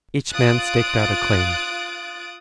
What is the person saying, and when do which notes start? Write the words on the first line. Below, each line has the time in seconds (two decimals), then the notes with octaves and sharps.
Each man staked out a claim.
0.33 F4 D#6 F#6 A6 D7